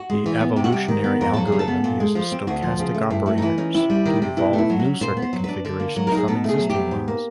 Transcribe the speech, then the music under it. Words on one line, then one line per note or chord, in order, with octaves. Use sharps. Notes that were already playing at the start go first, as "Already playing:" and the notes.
The evolutionary algorithm uses stochastic operators to evolve new circuit configurations from existing ones.
Already playing: F#4
G#3
E3
B3
C3 G4
F#4
G3 G4
D#3
B3
F2 A#4
F#3 A4
G#4
C#3
A4
B3
A#2
G#3
F3
C4
D2 F#4
F3
C#3
A3
G2 E4
A3 E4
D#4
E3 E4
C#4 D#4
C3 E4
G3
D#3
C3
B2 E4
A3
E4
F#3
C#4 F#4
A#2 C5
B3
C5
F#3
D4 B4
D3
A#3
F#3
D#4 A#4
G#4
B2 A4
A3 G#4
F#3
G4
B2
G#2
A#3